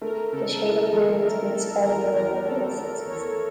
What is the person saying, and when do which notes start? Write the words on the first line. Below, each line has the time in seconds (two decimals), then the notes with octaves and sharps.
The shade of blue has been sky blue in many instances.
0.01 A3 A#4
0.32 C#3 A4
0.62 E4
0.93 F3 A4
1.23 A3 A#4
1.53 A3 A4
1.84 E2 A#4
2.14 E2 A#4
2.44 A3 A4
2.75 A3 A#4
3.05 E2 C#5